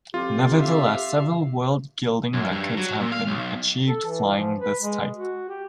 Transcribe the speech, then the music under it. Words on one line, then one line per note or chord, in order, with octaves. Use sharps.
Nevertheless, several World Gliding Records have been achieved flying this type.
F2 F4 G4
E5 F5
F#2
G2
F#3
A#2
F5
B1
A4
E3
F3
B4
G#3
F#4
G4